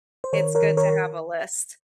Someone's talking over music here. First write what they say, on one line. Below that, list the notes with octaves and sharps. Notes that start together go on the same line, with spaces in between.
it's good to have a list.
C5
D#3 A#4 C#5
A#4 C#5
D#3
A#4 C#5